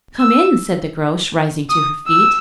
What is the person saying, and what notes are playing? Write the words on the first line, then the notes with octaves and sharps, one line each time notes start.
'Come in,' said the Groac'h, rising to her feet.
E6
D#6
E6